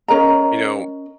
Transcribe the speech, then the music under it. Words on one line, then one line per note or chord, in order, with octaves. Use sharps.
You know
C#4 A#4 D#5 A#5